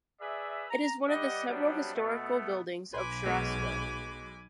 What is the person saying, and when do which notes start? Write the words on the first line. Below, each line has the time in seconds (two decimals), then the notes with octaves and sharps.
It is one of the several historical buildings of Cherasco.
0.21 G#4 B4 D5 E5
0.71 A#5
1.07 G3 B3 G4 D5 D#5 F#5
1.49 C3 F#3 G3 B3 D4
1.96 B2 A3 B3
2.93 B1 B4 G#5 B5 C6 D6
3.26 B2 G#3